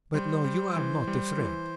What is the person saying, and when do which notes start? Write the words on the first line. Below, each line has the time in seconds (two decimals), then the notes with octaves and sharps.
But no, you are not afraid.
0.14 G3 C5
0.44 G3
0.76 E3
1.07 G3
1.38 E3